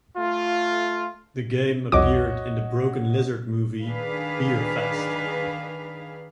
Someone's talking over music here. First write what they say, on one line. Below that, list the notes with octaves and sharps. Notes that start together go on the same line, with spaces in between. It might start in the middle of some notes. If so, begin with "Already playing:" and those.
The game appeared in the Broken Lizard movie, "Beerfest".
A3 F4
C2 F2 F#4 C#5 D#5 D6
D#3 D4 G#4 B4 F5